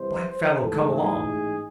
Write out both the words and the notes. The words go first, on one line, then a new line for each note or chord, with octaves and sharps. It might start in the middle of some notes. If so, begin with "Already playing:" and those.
"Black fellow come along."
Already playing: C2 C3 E3 C5
A1 G#2 E3 G#3 A4
G#4